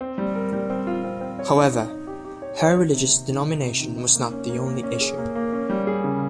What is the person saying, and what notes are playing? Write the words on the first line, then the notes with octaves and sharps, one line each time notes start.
However, her religious denomination was not the only issue.
C4
G3
A#4
G3
C4
F4
C4
C4
C#5
D#4
D#4
D#4
G4
G4
C#5
C#5
D#3
C3
C3
D#3
D#4
C3
D#3
D#4
A#3
C#4
A#3
A#3
C#4
G#4
A#3
A#3
C#4
G3
G#4
C#3